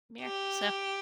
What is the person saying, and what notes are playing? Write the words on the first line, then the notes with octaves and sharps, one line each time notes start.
Beer, so
G4